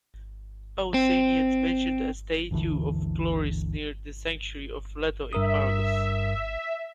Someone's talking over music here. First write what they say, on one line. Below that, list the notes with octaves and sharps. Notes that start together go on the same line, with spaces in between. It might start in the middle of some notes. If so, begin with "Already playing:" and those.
Pausanias mentioned a statue of Chloris near the sanctuary of Leto in Argos.
C4
G1 D2 D3 E3
G2 A#4 E5 D#6